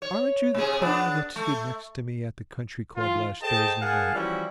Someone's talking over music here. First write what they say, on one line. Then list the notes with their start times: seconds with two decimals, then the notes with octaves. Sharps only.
"Aren't you the car that stood next to me at the country club last Thursday night?"
0.02 C#5
0.55 C3 G#4
0.82 B3 D4
1.36 A3
2.96 E3 F4
3.41 G#4 A4 C5 D#5 G5 A5
3.80 G#4 A#4 F5 F#5 G#5 A5
4.14 E3 F3 G3 C#4 E4 F#4